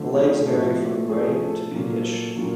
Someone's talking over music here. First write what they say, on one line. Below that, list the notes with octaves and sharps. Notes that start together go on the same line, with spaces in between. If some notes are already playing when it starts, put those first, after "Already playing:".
The legs vary from grey to pinkish.
Already playing: D3 F3 A3
G#4
A2 F3 A3 A4
A2 F3 A3 G#4
A4
A#2 F#3 A#3
A#2 F#3 A#3